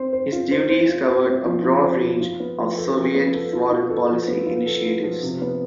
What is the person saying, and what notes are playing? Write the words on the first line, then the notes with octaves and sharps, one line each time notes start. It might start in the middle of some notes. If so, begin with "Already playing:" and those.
His duties covered a broad range of Soviet foreign policy initiatives.
Already playing: C4 C5
C5
F4
C5
C5
F4
C5
C4
F3
F4
C5
F3
F4
B3
F3
A4
F3
B3
A4
F4
F4
A4
F3
B3
F4
A4
F4
F3
C3
B3